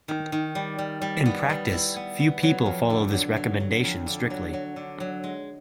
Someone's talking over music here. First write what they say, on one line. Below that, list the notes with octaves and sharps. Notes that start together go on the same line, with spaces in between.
In practice, few people follow this recommendation strictly.
D#3
D#3
G3
G3
G3
B3
G3
E4
B3
B3
F#3
F2
D3
F#3
F#3
F#3
F2
D3
F#3
F#3
D3
F#3
G#3